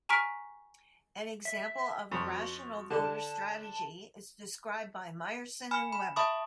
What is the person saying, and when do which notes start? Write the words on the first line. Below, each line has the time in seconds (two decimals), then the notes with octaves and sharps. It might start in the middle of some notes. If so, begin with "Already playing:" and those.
An example of a rational voter strategy is described by Myerson and Weber.
0.09 G#5 A#5 C#6 F6 B6 D7
1.45 E5
2.12 F2 F#4
2.90 D3 A5
5.71 G#5 B5 F6
5.92 B5
6.16 E5 A5 B5 C#6 D#6